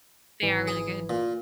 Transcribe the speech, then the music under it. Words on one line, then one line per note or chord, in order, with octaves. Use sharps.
They are really good.
G#1 E3
G#4
A#2